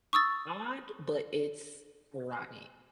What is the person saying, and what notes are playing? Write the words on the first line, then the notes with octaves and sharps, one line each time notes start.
Odd, but it's rotten
C#6 D#6 E6 A6